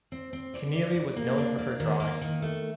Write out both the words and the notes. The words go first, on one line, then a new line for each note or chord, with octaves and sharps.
Kenneally was known for her drawings.
C4
C4
D5
D5
D5
A#3
D4
A#3
D#3
A#3
D#3
A3